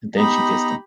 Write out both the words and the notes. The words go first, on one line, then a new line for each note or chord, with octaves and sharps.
And then she kissed him.
B3 D#4 G4 A#5 B5 D#6